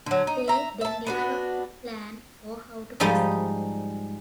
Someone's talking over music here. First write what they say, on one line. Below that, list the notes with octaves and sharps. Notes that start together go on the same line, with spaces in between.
They then develop a plan for how to proceed.
D3 F#3
D#4
E5 A#5
E5 A5
B3 D4 F#4
G#2 F3 G3 G#3 D#4